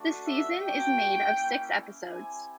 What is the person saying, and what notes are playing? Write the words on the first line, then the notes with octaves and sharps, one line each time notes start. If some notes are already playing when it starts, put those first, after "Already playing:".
The season is made of six episodes.
Already playing: A3 D4 F#4
E5
A#3 D4 F#4 G5
A#3 C#4 E4
C4 E4 G4 G#5